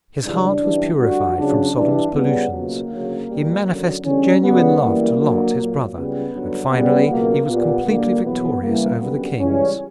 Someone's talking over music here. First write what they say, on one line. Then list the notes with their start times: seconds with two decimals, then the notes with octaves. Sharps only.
His heart was purified from Sodom's pollutions; he manifested genuine love to Lot, his brother; and, finally, he was completely victorious over the kings.
0.22 C#2 C#3 E3 G3 D4
0.60 F#2 E3 G3
0.98 D2 D3 G3 F#4
1.36 C#2 C#3 F#3 D4
1.74 G2 E3 G3 D4
2.13 C#2 C#3 G3 B3
2.51 C#2 B2 F#3 A#3
2.89 D2 C#3 F#3
3.28 E2 B2 G3
3.66 F#2 D3 F#3
4.03 E2 D3 G3 C#4
4.42 C#2 C#3 G3 B3
4.80 F#2 E3 G3 A#3
5.18 D2 D3 F#3
5.56 A#2 F#3
5.94 C#2 C#3 G3 B3
6.33 G2 D3 F#3
6.70 F#2 C#3 G3 B3
7.09 C#2 B2 F#3 A#3
7.47 A#2 G3 B3
7.85 D2 D3 G3 A#3
8.24 E2 B2 F#3 B3
8.62 E2 C#3 E3 G3 A#3
8.99 F#2 D3 G3 B3
9.38 C#2 C#3 E3 G3 C#4